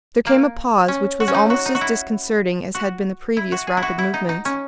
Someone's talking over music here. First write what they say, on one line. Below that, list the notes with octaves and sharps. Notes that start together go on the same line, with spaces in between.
There came a pause which was almost as disconcerting as had been the previous rapid movements.
A#3
C#4
F#4
C#4
D#4
F#4
D#4
F#4
E4
F#4
E4
F#4
G#4
E4
F#4
E4
D#4
D#4
C#4